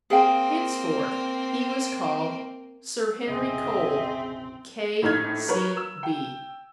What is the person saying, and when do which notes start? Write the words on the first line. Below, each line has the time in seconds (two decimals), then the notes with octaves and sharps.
Henceforth he was called Sir Henry Cole, K. C. B.
0.10 A#3 C4 G#4 F5 G5
3.27 F1 A#1 C#3 C4 G#4 D#5 E5 G#5
5.01 A#1 A2 D#4 F6 G#6
5.48 F#3 A#4 B4 C#5
5.77 E6
6.03 G5